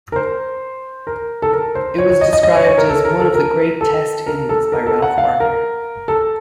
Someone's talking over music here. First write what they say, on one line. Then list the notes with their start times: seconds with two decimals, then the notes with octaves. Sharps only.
It was described as "one of the great Test innings" by Ralph Barker.
0.12 A#4
0.16 C5
1.07 A#4
1.42 A4
1.53 A#4
1.75 C5
1.98 C#5
2.10 C#5
2.21 D#5
2.33 D#5
2.43 D#5
2.55 C#5
2.67 C#5
2.78 A#4
2.89 A4
3.05 A#4
3.20 A4
3.35 A#4
3.81 A4
4.26 A#4
4.49 A4
4.72 A#4
4.86 A4
5.02 F#5
5.18 F5
5.40 A#4
6.08 A4